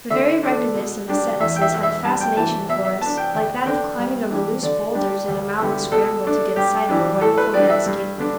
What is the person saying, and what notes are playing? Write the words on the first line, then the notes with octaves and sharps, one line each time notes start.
The very ruggedness of the sentences had a fascination for us, like that of climbing over loose bowlders in a mountain scramble to get sight of a wonderful landscape.
D3 E5
A3 D4
B2
G3 D4
E2 E5
G5
E5
B2 B3 E4
E5
G2 A5
G5
E3 B3 E4 A5
B2 E5
E5
B3 D4 A5
G5
D2 G5
D3 B3 D4 G5
G2
E3 G3 D4
D3 D5
G3 D4
D2
D3 G3 B3 E4
B2 A4
A3 D4
G2 G4
E3 G3 D4
A2 A4
B4
G3 D4 D5
E5
G2
D3 B3 D4